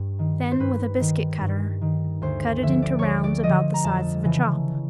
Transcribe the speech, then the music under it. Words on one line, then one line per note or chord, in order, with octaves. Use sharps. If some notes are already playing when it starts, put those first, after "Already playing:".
Then with a biscuit cutter, cut it into rounds about the size of a chop.
Already playing: G2
D#3
C5
G2 B4
D#3
G2
D#3
D2 C5
D3 F3 E5
D5
D2 C#5 D5
D5
D3 F3 D#5
A#5
F2 A5
C#3 E3